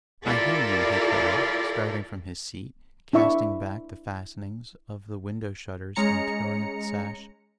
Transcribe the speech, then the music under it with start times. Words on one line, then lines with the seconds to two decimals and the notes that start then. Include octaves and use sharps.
'I hear you,' he cried, starting from his seat, casting back the fastenings of the window-shutters, and throwing up the sash.
0.24 E4 F4 G4 A4 A#4 D5
3.13 D4 E4 E5 C#6
5.96 G#3 C#4 A#5 C#7